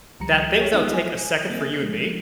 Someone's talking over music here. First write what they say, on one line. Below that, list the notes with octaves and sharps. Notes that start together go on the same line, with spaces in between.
that things that'll take a second for you and me,
C#2 F3 G3 A#5 C#7
G4 G#4 C#5
G#3 B3 D#4 F4 E5
G#5
A#3 C4
F3 G#3